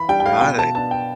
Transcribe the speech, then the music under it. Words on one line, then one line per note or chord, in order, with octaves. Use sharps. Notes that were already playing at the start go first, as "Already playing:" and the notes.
Got it.
Already playing: E3 B5
G3 D4 G5
G5
F5
B2 G5
A5
B3 D4 A5
G5